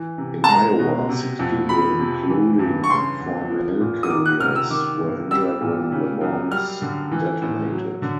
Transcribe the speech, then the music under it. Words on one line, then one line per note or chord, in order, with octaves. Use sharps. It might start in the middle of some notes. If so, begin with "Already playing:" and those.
In Iowa, six people, including four mail carriers, were injured when the bombs detonated.
Already playing: E3
C3
A5
G#3 A#5
B2
C3
F2
F3 B5
C3
E3
G2
C#6
C#3 C6
E2
F3
A#2
D#6
D#3 D6
F#6
C3 F6
E6
D#3 D6
G2
G3 E6
A#2
C#3
F#2
G3 F6
D3
E3
A2
F#3
D3